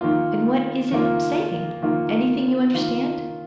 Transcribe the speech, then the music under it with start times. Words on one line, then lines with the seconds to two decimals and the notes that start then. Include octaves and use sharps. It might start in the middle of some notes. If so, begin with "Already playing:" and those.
"And what is it saying--anything you understand?"
0.01 D#3 A#3 F4
0.92 D#3 A#3 F4
1.82 D#3 A#3 F4
2.74 D#3 A#3 F4